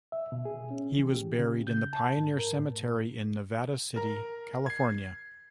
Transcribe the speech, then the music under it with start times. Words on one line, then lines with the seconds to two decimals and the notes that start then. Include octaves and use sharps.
He was buried in the Pioneer Cemetery in Nevada City, California.
0.12 E5
0.32 B2
0.45 G#4
0.71 C#4
0.98 E3
1.11 G4
1.39 C#3
1.67 G6
1.93 A5
2.18 G#2
2.39 A#4
2.59 A2
3.96 A#4 A#5
4.66 G#6 C7